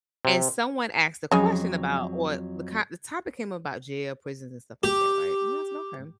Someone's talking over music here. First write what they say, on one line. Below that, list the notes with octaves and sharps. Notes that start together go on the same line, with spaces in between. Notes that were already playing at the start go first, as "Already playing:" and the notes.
and someone asked the question about what the co the topic came about jail, prisons, and stuff like that, right? And I said, "Okay,"
C3
F2 C#3 F#3 G#3 G#5
G4